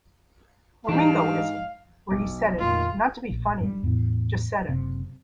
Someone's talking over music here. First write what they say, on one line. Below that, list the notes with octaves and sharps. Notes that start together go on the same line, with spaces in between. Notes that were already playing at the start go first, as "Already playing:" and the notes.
A Ringo-ism, where he said it not to be funny... just said it.
G#2 E3 G3 D4 D#4 F5
B1 D6
F1 A#2 D#3 F4
A#1
G2 G3
E2 A2
F#1 C3